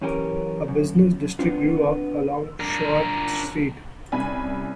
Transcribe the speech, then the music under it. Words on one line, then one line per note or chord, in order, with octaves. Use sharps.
A business district grew up along Choate Street.
F#2 E3 C#4 G4 A4 A#4
F#2
B3 C4 D4 F4
D4 A#4
C2 C3 C#4 D5 G#5 B5